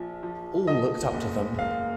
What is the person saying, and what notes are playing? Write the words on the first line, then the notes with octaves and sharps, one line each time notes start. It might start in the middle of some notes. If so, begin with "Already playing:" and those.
All looked up to them.
Already playing: A#1 F3
F3
F3 D#5
F#1
F#1 F5